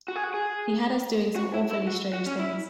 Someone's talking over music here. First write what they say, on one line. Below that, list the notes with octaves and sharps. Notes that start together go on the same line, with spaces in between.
He had us doing some awfully strange things.
F#4
G#4
F#4
G#4
F#4
E4
E4
F#4
F#4
C#4
E4